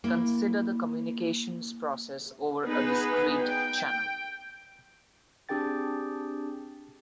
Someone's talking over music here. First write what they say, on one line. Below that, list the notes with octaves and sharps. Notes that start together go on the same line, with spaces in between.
Consider the communications process over a discrete channel.
A#3 E4
B3 D#4 G#4 B4
G5
C4 D4 G4 G#4 G5 A6